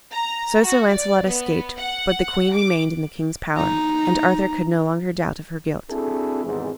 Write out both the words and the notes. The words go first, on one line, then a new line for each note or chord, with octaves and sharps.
So Sir Launcelot escaped, but the queen remained in the king's power, and Arthur could no longer doubt of her guilt.
A#5
F#4
D5
B3
F#5
D6
D#4 A#5
C4 D4 E4 F#4 G#4 A4
G#1 E2 G#2 C3 E3 G#3